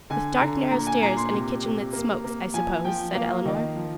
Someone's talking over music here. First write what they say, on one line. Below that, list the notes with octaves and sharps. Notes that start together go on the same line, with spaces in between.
"With dark narrow stairs and a kitchen that smokes, I suppose," said Elinor.
D3 G#5
D3 A#5
A#2 A#5
G#5
A#2 A#5
C6
C3
C3
A#3
A#3
F3 G#5
F3 G5
A#3 F5
D#3 D#5
F3